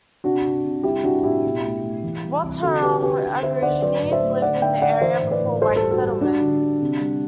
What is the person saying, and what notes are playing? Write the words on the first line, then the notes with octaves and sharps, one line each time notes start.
Wathaurong Aborigines lived in the area before white settlement.
C3 D4 F#4
C3
C3
G3 E4 G4
G3 D4 F#4
A2 E4 G4
B2
A3
A3
E3
G3
C3
D3 F#4 A4
D3 G4 B4
D3 G4 B4
D3
D3 C5 E5
D3 D5 F#5
F#3 B4 D5
A2
C5 E5
A3
D3 D5 F#5
D3 E5 G5
D3 D5 F#5
E3 C5 E5
A2
B4 D5
A2
G3 A4 C5
A4 C5
G3
F#4 A4
G3
G3 D4 F#4
D3
G3
C3
G3